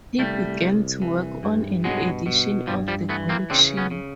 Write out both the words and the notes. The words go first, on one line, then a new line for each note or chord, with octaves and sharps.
He began to work on an edition of the collection.
C2 G3 A3
C2
E3
G2
B2 F#3 G#3
B2
G2 F3 G3
F3 G3
E3 A3 B3
A#3 C4
C#3 C4 D4
B3 C#4
C#3